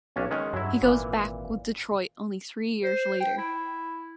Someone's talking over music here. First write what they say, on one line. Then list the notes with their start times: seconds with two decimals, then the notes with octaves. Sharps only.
He goes back with Detroit only three years later.
0.16 B1 C#4 D4
0.31 D#3 G#3 C#4
0.53 G2 F#3 E4
0.82 G#1 A#2 E3
2.83 C5
3.20 G5
3.37 E4